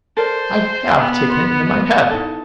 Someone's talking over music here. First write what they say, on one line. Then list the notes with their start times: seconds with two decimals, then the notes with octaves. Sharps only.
I HAVE taken it into my head.'
0.17 A4 A#4 C5 D5
0.96 B3
1.29 C5
1.66 C5 D#5
2.10 D#4 E4 A4